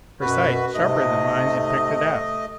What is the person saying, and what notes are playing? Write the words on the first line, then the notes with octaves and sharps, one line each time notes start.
Her sight, sharper than mine, had picked it out.
F#2 B2 F#4 B4
G#2 C3 A3 D#5